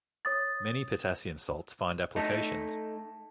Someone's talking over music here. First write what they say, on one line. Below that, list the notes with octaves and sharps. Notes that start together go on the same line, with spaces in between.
Many potassium salts find applications.
C#5 D#6 A6
A3 D#4 A4